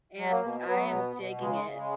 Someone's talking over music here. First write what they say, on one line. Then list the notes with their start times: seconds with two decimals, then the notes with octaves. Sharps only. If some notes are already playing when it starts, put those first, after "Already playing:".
and I am digging it;
0.18 F#3
0.30 A#3
0.43 B2
0.67 F#3 B3
0.92 B2
1.16 B2
1.40 C#3 G#3
1.65 C#3
1.78 G#3